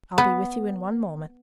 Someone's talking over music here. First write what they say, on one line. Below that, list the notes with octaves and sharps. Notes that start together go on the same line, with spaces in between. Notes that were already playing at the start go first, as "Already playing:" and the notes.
I'll be with you in one moment.
B3